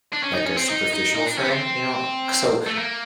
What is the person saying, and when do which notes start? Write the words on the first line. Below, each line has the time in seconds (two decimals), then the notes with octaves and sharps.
like a superficial friend, you know? C So,
0.13 D4
0.23 C#4
0.34 D#4
0.46 C#4
0.57 C4
0.69 D#4
0.93 D#4
1.15 D#4
1.27 D4
1.38 C#4
1.45 B3
1.51 C4
2.67 A3
2.78 A#3